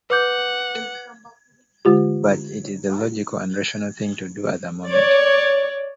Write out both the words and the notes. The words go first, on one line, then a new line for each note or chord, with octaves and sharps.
But it is the logical and rational thing to do at that moment.
B4 F#5 D6 G6
D3 G#3 F4 G4
C#5 D5